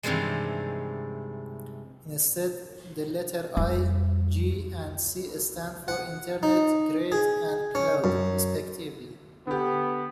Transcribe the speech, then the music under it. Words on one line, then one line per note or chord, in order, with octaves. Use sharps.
Instead, the letters "i", "g" and "c" stand for "internet", "grid" and "cloud" respectively.
G2 C3 D#3 E3 G3 G#3
F2 G3
F#5
D#4
G#4
C#4
F#2
D3 B3 G4